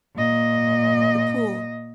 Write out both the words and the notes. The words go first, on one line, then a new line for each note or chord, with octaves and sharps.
the pool,
A#2 D#5